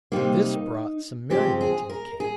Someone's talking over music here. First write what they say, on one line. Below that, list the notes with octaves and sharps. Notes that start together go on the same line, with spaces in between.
This brought some merriment in the camp.
C3 G3 A#3 D#4
C#3 F3 G#3 C4 G4
G#4
A#4
G#4